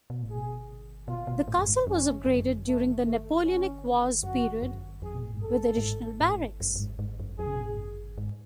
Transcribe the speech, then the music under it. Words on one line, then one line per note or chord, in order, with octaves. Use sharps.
The Castle was upgraded during the Napoleonic Wars period, with additional barracks.
B2
A2
G#4
B2
B2 F4
B2
A2
F#2
G#2
F#2 C#4
F#2
A3
A3
C#4
F#2 F#4
F#2
F2 G#4
B2
A2
G#2
F#2 A4
A2
G#2
A2
F#2
F#2
G#2
G#2
F#2
F2 G#4
C#3
B2
A2
G#2
F#2
G#2